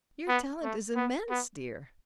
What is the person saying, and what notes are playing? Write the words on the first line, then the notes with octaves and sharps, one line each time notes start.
"Your talent is immense, dear!"
B3
A3
B3
B3